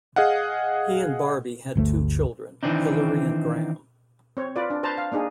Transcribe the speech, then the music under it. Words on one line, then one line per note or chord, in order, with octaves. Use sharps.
He and Barbie had two children; Hilary and Graham.
G#4 D#5 F5 F#5
G1 D2 A3
D#3 E3 C4 D4 D#4
C4 C#5
F4 B4 D5
D4
B4 C5 A5 A#5
F5
A#3 D4 D#4 G#4